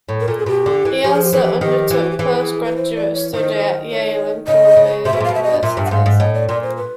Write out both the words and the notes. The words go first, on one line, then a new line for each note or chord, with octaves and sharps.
He also undertook post-graduate study at Yale and Columbia Universities.
A2
A#4
A#2 A4
G#4
B2 G4
D3
E3
F3 G4
G#4
G4
E3 G#4
G4
D#3 G4
E3
F#4
G4
E3 G#4
B4
C5
D5
C#5
D#3 C5
C#5
C#3 D#5
C#3
C3 E5
B2
A#2
B2 F5
E5
D#5
A#2 E5
G2
F#5
G#2 F5
G#2
A2 D#5
D5
A#2 D5
C5
B4